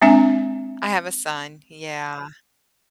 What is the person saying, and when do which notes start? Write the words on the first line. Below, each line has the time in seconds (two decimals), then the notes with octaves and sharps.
I have a son. Yeah.
0.02 G#3 C4 D4 E5 G#5